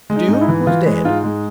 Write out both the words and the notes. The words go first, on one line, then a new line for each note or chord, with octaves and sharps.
The Duke was dead.
G#3
D#4
G#2
D#4
E4
E3
E3 F4
G#3
G#2 F4
G#3